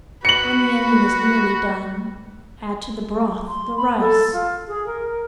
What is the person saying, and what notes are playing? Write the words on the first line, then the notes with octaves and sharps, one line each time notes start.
When the onion is nearly done, add to the broth the rice.
F#4 B4 C#7 F#7
C6
B5
A4
F4
G#4
A#4